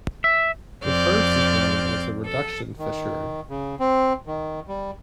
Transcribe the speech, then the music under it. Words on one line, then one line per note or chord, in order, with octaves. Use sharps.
The first is known as a reduction fishery.
E5
F2 C4 D5 F6 G6
A4
D#3
C#3
C4
D#3
G3